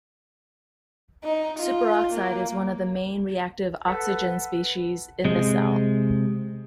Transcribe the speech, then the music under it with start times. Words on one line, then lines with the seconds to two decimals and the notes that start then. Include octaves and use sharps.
Superoxide is one of the main reactive oxygen species in the cell.
1.23 D#4
1.59 F4
2.13 A#3
3.87 A4 B4 F#5 B6 C#7
5.25 C3 G#3